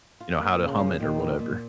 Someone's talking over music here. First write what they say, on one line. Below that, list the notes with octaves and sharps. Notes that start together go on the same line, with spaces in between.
you know, how to hum it or whatever.
F4
A#3
A#2 C#3
F3
A#2 D#3
D#4
A#2